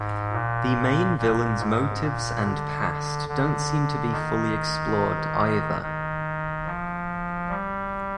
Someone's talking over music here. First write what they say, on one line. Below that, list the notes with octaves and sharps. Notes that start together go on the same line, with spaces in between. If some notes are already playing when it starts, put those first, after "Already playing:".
The main villain's motives and past don't seem to be fully explored, either.
Already playing: G#2
A#2
A#2
G#2
A#2
D3
D3
D#3
D#3
F3
G3